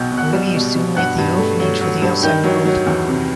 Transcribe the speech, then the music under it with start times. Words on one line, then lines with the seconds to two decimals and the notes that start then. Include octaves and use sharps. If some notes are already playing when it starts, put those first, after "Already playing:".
However, he soon left the orphanage for the outside world.
Already playing: B1 B2 F#5 G5 G6
0.12 B2
0.17 F#5 F#6
0.33 G3
0.55 B2
0.75 B2
0.96 G2 F#5 F#6
1.18 G2
1.39 A3
1.60 F#3
1.81 F#3
2.02 G2
2.23 D#3 G5 G6
2.44 F#3
2.65 F#3
2.86 E2
3.08 C3